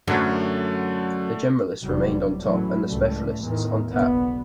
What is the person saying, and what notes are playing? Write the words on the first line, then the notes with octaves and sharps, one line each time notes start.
The generalists remained on top, and the specialists on tap.
F#2 D3 A3
F1 E2 C3 E3 F#3 G3
A2 E3 F#3 A3 C#4
C#2 A2 G3 A3
E2 A2 D#3 E3
F#1 B1 B2 D3 B3